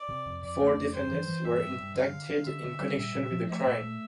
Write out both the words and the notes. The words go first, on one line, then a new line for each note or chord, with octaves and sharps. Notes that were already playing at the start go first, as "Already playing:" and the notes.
Four defendants were indicted in connection with the crime.
Already playing: D5
C3
F2
F2 D5
A3
F2
G2 C5
E3
E3
G2 E5
G2
G2
D3 F5
D3
D3
D3 E5
D3
G3
A#2 E5
A#2
F3
A3 E5
A#2
A3